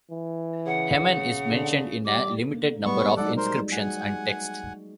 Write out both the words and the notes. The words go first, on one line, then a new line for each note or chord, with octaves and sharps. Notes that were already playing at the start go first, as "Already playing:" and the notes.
Hemen is mentioned in a limited number of inscriptions and texts.
E3
C#3 F#5
D3
G3 D6
A#3
G3 B3 C#6
F#3 G#3 D#4 A4 D5 F#5
A#4 C5
F#4 G#4 F#5 G#5